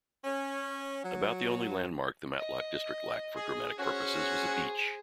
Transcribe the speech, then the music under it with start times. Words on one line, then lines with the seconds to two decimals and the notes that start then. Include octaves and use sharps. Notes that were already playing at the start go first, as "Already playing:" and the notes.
About the only landmark the Matlock district lacked for dramatic purposes was a beach.
0.24 C#4
1.03 F#3
2.38 D#5
3.36 G#4
3.78 C#4 F#4 G#4 C5